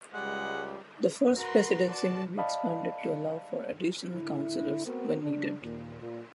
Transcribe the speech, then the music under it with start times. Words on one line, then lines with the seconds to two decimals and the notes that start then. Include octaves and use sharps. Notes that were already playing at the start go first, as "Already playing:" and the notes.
The First Presidency may be expanded to allow for additional counselors, when needed.
0.14 C#2 G3 G#3 F#5
1.35 F#4 A#4 B4 C6
1.85 F#4 D5 A5
2.38 D5 D#5 F5 A5 B5
4.12 A2 D3 E4
4.85 A3 B3 C4 F#4 A#4
5.22 C#3 D4
5.63 D#2 A#2
6.01 A#2